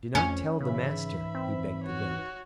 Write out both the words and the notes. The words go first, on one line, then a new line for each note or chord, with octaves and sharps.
"Do not tell the master," he begged the Goat.
F2 C#4
G#2 C#3 E3 E5 B5
C4
F#4 C#5